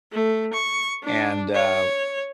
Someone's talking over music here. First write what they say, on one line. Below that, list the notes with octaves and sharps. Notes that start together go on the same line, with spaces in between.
And, uh, w
A3
C#6
D4
C#5